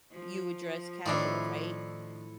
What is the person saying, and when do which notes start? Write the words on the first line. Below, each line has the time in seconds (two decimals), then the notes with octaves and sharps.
you would dress casual, right?
0.11 F3
1.06 A2 D#3 D4 E4